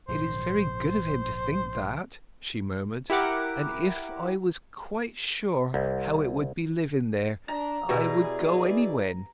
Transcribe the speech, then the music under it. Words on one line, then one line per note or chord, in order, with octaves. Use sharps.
"It is very good of him to think that," she murmured; "and if I was quite sure how it would be living there, I would go any-when."
A#1 G#2 C#3 C5
E4 G4 A#4 F#5 D6
C2
D4 A#5
B2 E4 G4 G#4 B4 D5 G#5